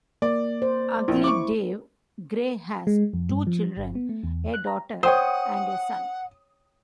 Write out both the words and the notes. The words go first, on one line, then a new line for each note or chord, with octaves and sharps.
Ugly Dave Gray has two children, a daughter and a son.
A#3 D5
C5
A#1 E4
C#6 D6
G#3
F2
G2
F3
G1
B3
A3
E2
F#6
A#5
C5 C#5 F#5 G5 C6 D#6